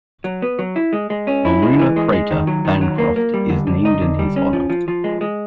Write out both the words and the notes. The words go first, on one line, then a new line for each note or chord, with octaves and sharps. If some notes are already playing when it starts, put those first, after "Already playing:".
The lunar crater Bancroft is named in his honor.
F#3
B3
F#3
E4
G#3
G#3
C#4
E4
G#3
E3
G#3
G#3
D#3
F#3
D#3
F#3
A#3
A#3
G3
D3
D3
D#4
D3
G3
C#4
F3
F3
F3
G#3
G#3